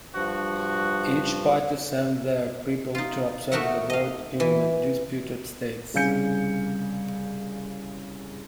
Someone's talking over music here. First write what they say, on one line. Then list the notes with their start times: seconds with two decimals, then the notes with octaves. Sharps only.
Each party sent their people to observe the vote in the disputed states.
0.15 G2 F3 F#4
2.95 D#4 F4
3.52 A3 D#4 F#4 A#4 E5 F#5
3.90 D#5 F5
4.40 E3
5.94 C2 C#3 F5 G#5 G6 C#7